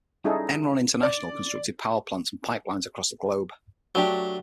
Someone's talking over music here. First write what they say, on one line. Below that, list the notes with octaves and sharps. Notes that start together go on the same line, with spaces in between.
Enron International constructed power plants and pipelines across the globe.
G3 C#4 D#4 E4 G#4 A4
D5
F#3 A3 D4 G4